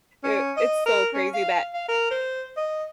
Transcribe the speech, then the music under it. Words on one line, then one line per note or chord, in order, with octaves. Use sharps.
it it's so crazy that,
C#4
D#5
A#4
C#4
F5
F5
A#4
C5
D#5